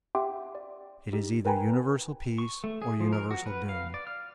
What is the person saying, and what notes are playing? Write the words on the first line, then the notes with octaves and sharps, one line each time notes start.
It is either universal peace or universal doom.
G4 E5 F#5 G5 C6 D6
D5
D#4 G4
A#4 B4 G5 G#5 A#5 B5
C#6
A3
G#4
F3
A#4
F#4
B4
F5
D5
F6